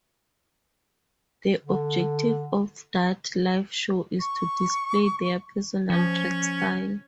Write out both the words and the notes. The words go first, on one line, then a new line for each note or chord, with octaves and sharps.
The objective of that live show is to display their personal drag style.
D3
C#6
F3 C#4